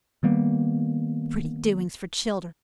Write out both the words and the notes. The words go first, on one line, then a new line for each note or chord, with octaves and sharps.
Pretty doings for children.
D#3 G3 A#3 B3